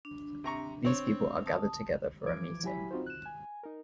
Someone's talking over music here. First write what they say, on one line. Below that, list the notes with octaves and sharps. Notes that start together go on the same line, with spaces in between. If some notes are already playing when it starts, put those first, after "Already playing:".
These people are gathered together for a meeting.
D4
C3 A#5 C#6
C4 C#5
A5 D#6
E3 F3 D6 G#6 D7
F#3 E4 G4 G#5 B5 B6
C4 D#4 F4 F#4 C5
F#6 E7
G#5
D#4 A#4